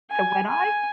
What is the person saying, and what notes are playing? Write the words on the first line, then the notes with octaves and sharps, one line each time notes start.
So, what I
G#5
G#5